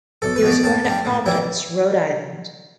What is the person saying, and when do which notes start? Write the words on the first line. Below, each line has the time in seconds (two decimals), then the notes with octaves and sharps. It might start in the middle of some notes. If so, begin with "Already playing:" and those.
He was born at Providence, Rhode Island.
0.22 B1 A4
0.36 B4
0.43 B2 B3
0.50 D5
0.64 A2 A5
0.85 G3 D4
1.05 A2
1.26 E3 G3 E4